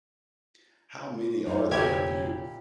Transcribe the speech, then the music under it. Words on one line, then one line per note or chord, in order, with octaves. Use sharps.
How many are there of you?
F#2 D#4
F1 B1 A#2 D3 E4 G4 C#5 G#6